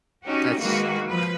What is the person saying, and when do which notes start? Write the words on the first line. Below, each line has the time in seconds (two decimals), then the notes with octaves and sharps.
That's ugh.
0.25 C#4 D#4 F#4 G4
0.60 D#3 G#3 A#3 F#4 B4
1.06 F3 B4